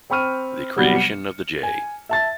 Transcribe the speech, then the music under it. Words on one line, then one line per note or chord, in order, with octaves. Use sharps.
The creation of the J.
C4 G5 B5 C#6 F6 D#7
C3 F#3 G3 B3
C#7
G#5
E5 A5 A6